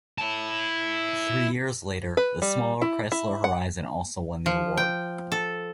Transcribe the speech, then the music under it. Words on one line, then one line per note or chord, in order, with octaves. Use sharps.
Three years later, the smaller Chrysler Horizon also won the award.
E4 A5
B4
G3
E4
E4
F#5
F3
G5
A4